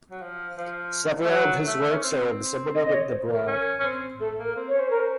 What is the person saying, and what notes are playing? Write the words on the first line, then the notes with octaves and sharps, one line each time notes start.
Several of his works are exhibited at The Broad.
F#3
F3
F3
A3
F#3
A3
C#4
C4
D#5
D#5
C#5
C5
A#4
C#4
C#4
C4
A3 A4
A#3
A#4
C4
C#5
C#4
C5
A#4
C5